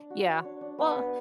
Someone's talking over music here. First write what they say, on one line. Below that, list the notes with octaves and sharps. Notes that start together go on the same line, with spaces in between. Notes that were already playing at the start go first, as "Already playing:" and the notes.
Yeah. Well
Already playing: D4
F#4
C#5
D4
D4
B3
D4